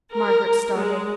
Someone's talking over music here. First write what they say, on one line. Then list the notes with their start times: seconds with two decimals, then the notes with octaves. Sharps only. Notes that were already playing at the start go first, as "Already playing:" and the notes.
Margaret started.
0.14 A#4
0.77 G#3